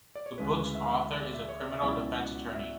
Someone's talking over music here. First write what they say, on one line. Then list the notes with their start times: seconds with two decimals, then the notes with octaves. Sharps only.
The book's author is a criminal defense attorney.
0.15 D5
0.26 C#5
0.38 D2 C#3 E3 G#3 B4
0.75 E5
1.11 D5
1.25 D5
1.34 E5
1.49 C#5
1.59 D5
1.72 E5
1.82 C#2 B2 F#3 C#4 E4 D5
2.18 F#5
2.54 E5